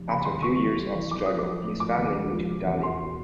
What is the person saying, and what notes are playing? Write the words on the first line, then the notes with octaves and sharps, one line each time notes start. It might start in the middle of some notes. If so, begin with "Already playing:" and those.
After a few years of struggle, his family moved to Delhi.
Already playing: F1
C#3 B5
D#2 C6
C2 C#6
E3
C2
E3
B1 D6
F3 D#6
D6
F3
A2
F3 D6
D#2
G#3
F3
B2
E2
E2 C6
B2